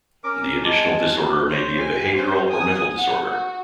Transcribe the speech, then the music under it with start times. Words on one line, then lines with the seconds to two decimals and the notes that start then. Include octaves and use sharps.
The additional disorder may be a behavioral or mental disorder.
0.24 C#4 A#4 D6
0.63 G#3 G#5 A5
1.49 C5 C#5
1.78 G#5
2.15 C#4 C5
2.50 G#5 D#6
2.97 F#5
3.31 F#4